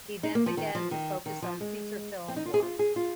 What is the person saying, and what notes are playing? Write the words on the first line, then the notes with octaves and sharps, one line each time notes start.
He then began to focus on feature film work.
D#4
A#3
F3
D#3
F3
D#3
D#3
F3
G#3
C4
D#4
F4
G#4
F4
G#4
F4